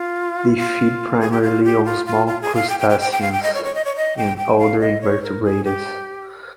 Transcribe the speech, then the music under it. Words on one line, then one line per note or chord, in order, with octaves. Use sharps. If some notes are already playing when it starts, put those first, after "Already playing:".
They feed primarily on small crustaceans and other invertebrates.
Already playing: F4
F4
G#4
G4
F4
G4
F4
F4
F4
G#4
F5
G5
G5
G5
G5
G5
F5
G5
D#5
C#5
C#5
D#5
C#5
D#5
G5
G5
F5
D#5
C#5
A#4
G#4
G4